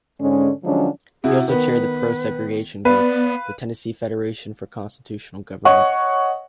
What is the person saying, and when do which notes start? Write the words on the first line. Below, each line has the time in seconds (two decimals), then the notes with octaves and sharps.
He also chaired the pro-segregation group, the Tennessee Federation for Constitutional Government.
0.20 G#2 D3 G#3 C#4
0.64 D3 F3 F#3 G#3 C#4 D4
1.24 C3 E4 F#4 G#4
1.48 D#3 B3 B4
2.85 B3 B4 D5 F5
5.65 C#5 D#5 F#5 C#6